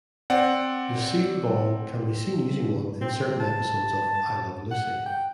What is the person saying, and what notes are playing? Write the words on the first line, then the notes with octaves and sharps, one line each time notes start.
Lucille Ball can be seen using one in certain episodes of "I Love Lucy".
C4 D5 F#5
C4
A5
F#5
G5